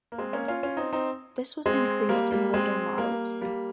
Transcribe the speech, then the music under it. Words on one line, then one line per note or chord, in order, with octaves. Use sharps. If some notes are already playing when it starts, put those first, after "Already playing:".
This was increased in later models.
A#3
G#3 C4
A#3 C#4
C#4 F4
C#4 F4
C4 D#4
C4 D#4
G#3 C4
G3 A#3
G3 A#3
G#3 C4
G3 A#3
G3 A#3